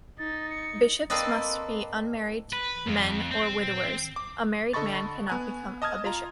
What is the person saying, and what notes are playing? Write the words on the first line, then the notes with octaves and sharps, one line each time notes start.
Bishops must be unmarried men or widowers; a married man cannot become a bishop.
D#4 A6
C#7
A#3 C4 A4 B4 D5 D#5
B4
F2
C4
D6
D3 A4 D#5 B5 C#6 A6
B3 G#5 F#6
D#5 A5 D#6 F6 G#6
F4 A#5